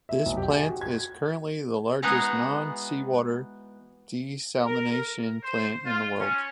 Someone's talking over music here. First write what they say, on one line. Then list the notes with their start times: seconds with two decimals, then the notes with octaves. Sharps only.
This plant is currently the largest non-seawater desalination plant in the world.
0.09 E5
0.26 B1
0.37 G4
0.49 G#4
0.69 F#4
0.81 G#6
2.02 E3 G#3 B3 D#4 F#4
4.64 A#4
5.43 C5
5.86 F4
6.20 C#4